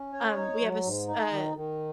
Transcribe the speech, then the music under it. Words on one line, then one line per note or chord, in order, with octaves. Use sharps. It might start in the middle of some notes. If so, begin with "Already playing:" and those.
Um, we have a s a
Already playing: C#4
C#5
D#4
F#3
G#2
D#4
D#3
D#3